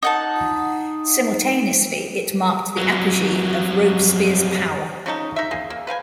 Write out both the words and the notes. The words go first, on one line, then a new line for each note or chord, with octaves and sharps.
Simultaneously it marked the apogee of Robespierre's power.
D#4 F#5 A5
F2 F#3
C#3 C#4 D#4 A4
D#4 E5
A#3 G#4
A#3
B4 F5 G5 G#5